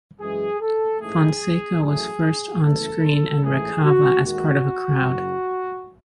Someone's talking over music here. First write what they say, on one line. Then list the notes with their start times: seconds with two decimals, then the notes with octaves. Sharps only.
Fonseka was first on-screen in "Rekava" as part of a crowd.
0.19 F#2 E3 G#3 G#4
0.60 A4
1.01 A1 G#2 E3 A3 G#4
1.82 A1 A2 F#3 A3 G#4
2.62 F#1 E2 C#3 E3 A3 A4
3.43 A1 G#2 E3 A3 G#4
3.84 F#4
4.24 D#2 D#3 G#3 F#4
5.05 F#1 F#2 C#3 F#3